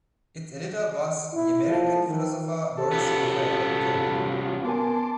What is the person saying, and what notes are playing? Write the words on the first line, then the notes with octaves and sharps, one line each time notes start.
Its editor was the American philosopher Morris Raphael Cohen.
E4
F3
D#3
G4 A4
C2 B3 C#4 F4 F#4
B3 A#4 G#5 A5 C6 D6